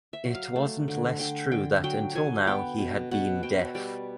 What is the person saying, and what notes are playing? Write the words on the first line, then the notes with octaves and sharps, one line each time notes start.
It wasn’t less true that until now he had been deaf.
E5
F#3
F5
A3
D3
D3 G5
D3 G5
F#3 G5
F#3 G#5
B3 G5
B2
B2 F#5
B2 G5
G3 D5